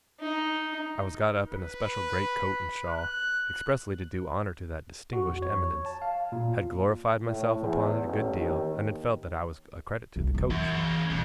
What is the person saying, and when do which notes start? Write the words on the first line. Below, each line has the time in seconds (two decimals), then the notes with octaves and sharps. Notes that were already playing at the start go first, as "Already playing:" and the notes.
I was got up in a special great-coat and shawl, expressly to do honour to that distinguished eminence; had glorified myself upon it a good deal; and had felt that I was a credit to the coach.
0.19 D#4
1.49 B4
2.89 F#6
5.13 F#4
5.27 F2
5.42 C#5
5.86 A5
6.02 F5
6.32 A#2
7.26 A2
7.62 E2
8.06 A1
8.34 D#2
10.16 C2
10.35 E3
10.51 F#2
10.72 C#3 A#3
11.10 A#1 F2